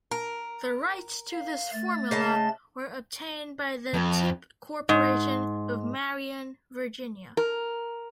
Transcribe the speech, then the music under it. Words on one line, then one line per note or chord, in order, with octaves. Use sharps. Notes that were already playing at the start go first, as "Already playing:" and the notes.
The rights to this formula were obtained by the Tip Corporation of Marion, Virginia.
A#4
F5
A3 A6
C#3 D#5 A5
F2
G#2
A#4